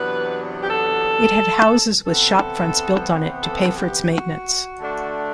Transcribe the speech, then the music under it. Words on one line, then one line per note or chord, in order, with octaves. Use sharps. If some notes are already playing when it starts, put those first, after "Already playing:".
It had houses with shopfronts built on it to pay for its maintenance.
Already playing: E2 C3 F#3 B3 D4 B4
G4
A4
C3 E3 B3 A4
A4
G4
F#4
D3 A3 D4